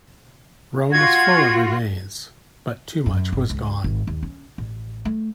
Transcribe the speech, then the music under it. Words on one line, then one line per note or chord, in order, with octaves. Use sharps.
Rome was full of remains, but too much was gone.
F4 F#4 G#6
F#2
G1
C#2
G#1
D#2
C#4
A1
A3